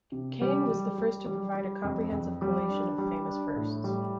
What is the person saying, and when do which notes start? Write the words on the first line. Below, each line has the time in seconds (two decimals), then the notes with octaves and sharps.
Kane was the first to provide a comprehensive collation of famous firsts.
0.12 C3
0.41 G3
0.69 G3
0.98 G3
1.26 G3
1.55 G3
1.84 F2
2.12 F2
2.42 G3
2.70 D4
2.98 G3
3.26 D4
3.56 A2
3.84 G3